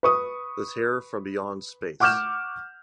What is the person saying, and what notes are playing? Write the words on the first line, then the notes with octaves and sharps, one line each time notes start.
The Terror from Beyond Space.
B4 C#6 D#6
F#5 C#6 D6 F6 G6 E7